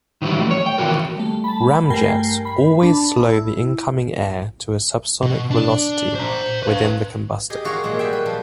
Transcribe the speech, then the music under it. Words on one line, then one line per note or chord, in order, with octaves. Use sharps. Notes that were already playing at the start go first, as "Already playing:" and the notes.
Ramjets always slow the incoming air to a subsonic velocity within the combustor.
D#3 E3 F#3 G3 E4
E3 A3
C#5
G5
D#3 E3 F#4 A#4
G3 A3
A5 B5
G2 A3 A#4 G5 G#5 C7
B5
D4 A5 B5
E4
B2
D4
C5 A#5
B4 F5
G4 G#4 D#5
F4 F#4 A#4 C#5 F5
A#2 F#3 G#3 G#4
G3 E5 G5
B4
F3